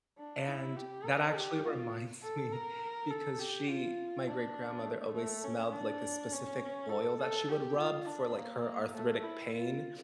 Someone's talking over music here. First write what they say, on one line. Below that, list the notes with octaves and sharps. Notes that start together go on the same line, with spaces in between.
and that actually reminds me because she my great grandmother always smelled, like, this specific oil that she would rub for, like, her arthritic pain,
D4
E4
G4
A#4
G4
F4
A4
A#4
A4
G4
F4
D4
A3
A3
C#4
D4
C#4
A4
A4
G4
F4
D4
A#3
A3
E4
F4